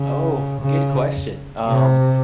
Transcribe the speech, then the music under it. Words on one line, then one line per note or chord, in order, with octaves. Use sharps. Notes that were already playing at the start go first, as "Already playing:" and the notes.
Oh, good question, um,
Already playing: C#3
C#3
C3